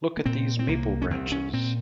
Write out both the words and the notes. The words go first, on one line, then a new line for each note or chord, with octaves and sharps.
Look at these maple branches.
A#3
A#2 C4
C4
C2 A#3
C#4
C2 C4
C#4
A#2 C4